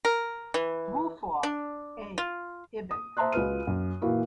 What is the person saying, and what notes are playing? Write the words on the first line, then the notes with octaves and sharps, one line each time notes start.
Vul'fov, A, ibid.
A#4
E3
D4
F4
D#6
C5 E5 A5 A#5 C6 F#6
C#2 F4 F#4 B4 F6 D#7
F#2
A#2 E3 A#3 E4 F#4